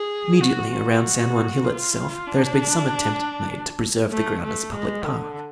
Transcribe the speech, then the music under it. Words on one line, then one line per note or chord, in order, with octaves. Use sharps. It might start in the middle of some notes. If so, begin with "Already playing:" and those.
Immediately around San Juan Hill itself there has been some attempt made to preserve the ground as a public park.
Already playing: G#4
F#4
F#4
F4
D4
A3
A3
G#3
D3